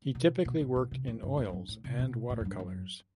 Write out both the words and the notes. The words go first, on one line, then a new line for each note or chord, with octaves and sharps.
He typically worked in oils and water colours.
B2
B2
A2
B2
C3
A2
G2
E2
F#2
G2
A2
C3
B2
A2
F#2
G2
F#2